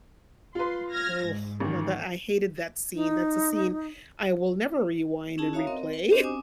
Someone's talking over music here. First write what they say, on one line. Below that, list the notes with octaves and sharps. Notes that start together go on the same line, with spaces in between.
ugh, no that I hated that scene, that's a scene I will never rewind and replay,
F4 B4 C6
F6 G#6 A#6
G#2
A1 D#3
D#4
C#4 D#4 E4 G#4 A5
F#4 C#5 E5 F5 A#5 D#6
C4 A#4 D#5
B4
C4 D4 F#4 G4 C5 D#5
C4 C#4 G#5 D6 D#6